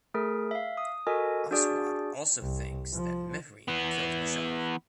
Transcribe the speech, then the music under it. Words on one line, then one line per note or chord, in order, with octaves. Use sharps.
Aswad also thinks that Mehreen killed Mashal.
A3 G#4 A#4
E5 F5
D#6
F#4 A4 A#4 D#5 G#5
D4 F#4 G#4 D5
C2
F3
E3 B3